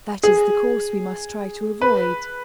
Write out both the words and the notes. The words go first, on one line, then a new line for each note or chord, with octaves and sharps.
That is the course we must try to avoid.
G#4
B4